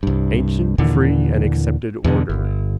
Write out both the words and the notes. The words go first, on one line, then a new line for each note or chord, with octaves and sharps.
Ancient free and accepted order.
C2 G2
D#2 A#2 D3 E3
E2 B2 D3
G1